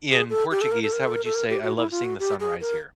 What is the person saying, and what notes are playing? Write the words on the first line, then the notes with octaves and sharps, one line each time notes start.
in Portuguese, how would you say, "I love seeing the sunrise here"?
G#4
A4
G4
A4
A#4
A4
A#4
A4
A#4
A4
A#4
G4
F#4
E4
F4
F#4
G4
G#4
A#4